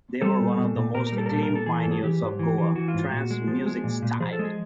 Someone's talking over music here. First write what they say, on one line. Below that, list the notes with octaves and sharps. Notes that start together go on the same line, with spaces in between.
They were one of the most acclaimed pioneers of Goa Trance music style.
G3 A4
A#2
A#2
A#2
A#2 A#4
A#4
G3
A4
A#4
A#2 A4
A#4
A#2
A4
E3 G#4
A4
G#2
G#4
E3 G4
G#2
E3
E3
E3 F#4
F4
G#2
F4
A#2 F#4
G#3
F3
G#3
A#2
A#2
F3 G#4
A4
G#3
G#4